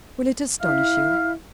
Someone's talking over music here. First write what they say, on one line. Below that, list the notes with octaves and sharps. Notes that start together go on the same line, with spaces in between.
Will it astonish you?
E4 E5 F5 F6